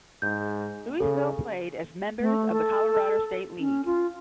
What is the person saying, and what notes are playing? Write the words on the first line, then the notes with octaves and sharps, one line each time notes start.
Louisville played as members of the Colorado State League.
G#2 G6
C#3 A4
A3
A4
C#4
F4